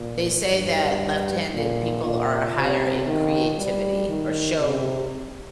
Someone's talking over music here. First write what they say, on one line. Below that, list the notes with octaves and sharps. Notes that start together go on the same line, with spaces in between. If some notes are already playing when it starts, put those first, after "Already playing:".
They say that left-handed people are higher in creativity or show
Already playing: A#2
G2
A#2
A#2
C3
D#3
G3
D#3
C3